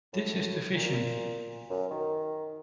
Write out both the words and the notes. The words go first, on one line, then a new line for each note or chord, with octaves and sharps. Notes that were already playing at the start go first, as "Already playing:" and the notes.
This is the vision!
A2
A#2
F#2
D#3